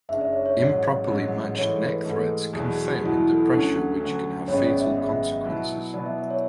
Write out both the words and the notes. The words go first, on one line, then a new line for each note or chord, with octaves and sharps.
Improperly matched neck threads can fail under pressure which can have fatal consequences.
F#1 F#2 C#3 G#3 D4 E5
D5
C#5
C#5
A1 G#2 F#3 C#5
A1 G#2 F#3
G#2 E3 A3 C#5
B4
G#2 E3 A3 A4
E2 B2 F#3 G#4
F#4
G#4
F#4
F#4
E2 B2 F#3 E4
E4
A4
D2 D3 F#3 C#4
D2 D3 F#3 C#4
G#1 F#2 C#3 G#3 B3 C#5
D5
E5
G#1 F#2 C#3 G#3 B3 E5
B2 F#3 B3 E4
B2 F#3 B3 E4 D5
E5
D5
C#5